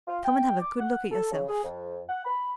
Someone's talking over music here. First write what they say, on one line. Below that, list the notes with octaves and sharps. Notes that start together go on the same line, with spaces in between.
"Come and have a good look at yourself."
F4
G5
D6
F#5
A4
C#3
G#4
F2
F#5
B5